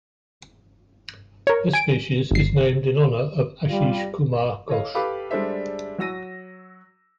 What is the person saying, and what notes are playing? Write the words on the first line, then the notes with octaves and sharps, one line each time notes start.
This species is named in honor of Asish Kumar Ghosh.
A#4 C#5
G#5 D7
G1 C7
G3 F4
A4 C#5 D#5 F5
G4 A4 B4 F5 B5 D6
G3 G#3 D4 A4 C5 E5
F#3 F#4 E6 A#6 D#7